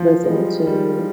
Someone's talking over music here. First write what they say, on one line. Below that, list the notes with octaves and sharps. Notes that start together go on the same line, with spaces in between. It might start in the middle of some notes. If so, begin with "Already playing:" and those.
listening to,
Already playing: F3
G#3
G3
G3